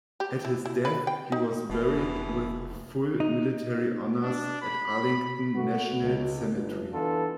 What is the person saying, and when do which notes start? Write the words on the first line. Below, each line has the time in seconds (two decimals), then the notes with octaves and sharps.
At his death he was buried with full military honors, at Arlington National Cemetery.
0.20 G4
0.45 E4
0.66 E4
0.85 B4
1.07 G5
1.32 D#4
1.70 F1 B2 E3 G#4
3.20 D#4
4.22 D4
4.61 B5
5.55 A3 B3 F#4
6.01 C#2
6.54 G1
6.92 E3 B3 D4 F4 A4